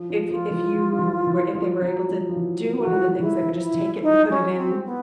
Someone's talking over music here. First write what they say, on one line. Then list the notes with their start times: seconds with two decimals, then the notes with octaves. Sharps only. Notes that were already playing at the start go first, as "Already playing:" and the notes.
if y if you were if they were able to do one of the things, would just take it and put it in
Already playing: F3
0.10 F3
0.30 F3 F4
0.50 E3
0.72 F3
0.93 F3
0.99 E3
1.27 E3
1.55 F3
1.82 F#3
2.09 F3
2.29 F3
2.36 E3
2.78 F3 F#4
2.87 E3
2.97 F3
3.19 E3 E4
3.42 E3
3.47 F3
3.61 E4
3.74 E3
4.02 D#4
4.30 C#4
4.57 C4
4.85 B3